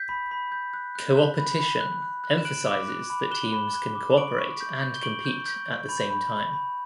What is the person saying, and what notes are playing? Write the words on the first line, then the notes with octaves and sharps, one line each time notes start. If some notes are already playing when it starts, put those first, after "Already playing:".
Coopertition emphasizes that teams can cooperate and compete at the same time.
Already playing: G6 B6
B5
B5
G6
F#6
F#6
F#6
B5
B5
F#6
F#6
F#6
E7
F#6 D7 F#7
D6
F#6
B5
F#6 E7 G7
B5
F#6
D6
C#6 D7 F#7
C#6
G6
G6
G7
C#6 D7 F#7
G6
G6
G6
B5
B5
B5
B5